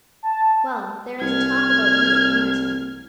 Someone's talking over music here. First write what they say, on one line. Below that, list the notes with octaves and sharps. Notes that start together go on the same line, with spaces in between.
'Well! there is a talk about you at Gimmerton.
A5
C2 F6 G#6